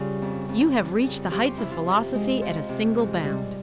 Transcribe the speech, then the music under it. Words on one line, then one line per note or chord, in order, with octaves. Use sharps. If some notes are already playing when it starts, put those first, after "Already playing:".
"You have reached the heights of philosophy at a single bound."
Already playing: C#3 G3 F4
F2
F2
G3
C#3
F3 G4
F4
C3 E4
F4
F2
G#3
F3
C3
G#2
G3